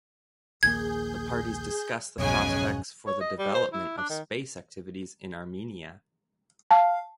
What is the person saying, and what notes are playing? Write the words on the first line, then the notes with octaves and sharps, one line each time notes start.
The parties discussed the prospects for the development of space activities in Armenia.
A#1 D#2 A#3 G#4 G6 G#6
B1 F2 G#2 C#3 C#5 D#5 G#5 F#6
C#5
D#5
G3
C5
E4
D4
D#3
F5 A5